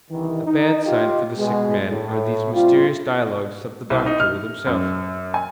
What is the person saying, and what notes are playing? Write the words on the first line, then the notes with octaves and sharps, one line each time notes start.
A bad sign for the sick man are these mysterious dialogues of the doctor with himself.
C2 D#3 E3
D#4
F4 G4 D#5
B2 G#3
A2
C3 G3 C4 F4
C2
D#4
F6
F#2
G#5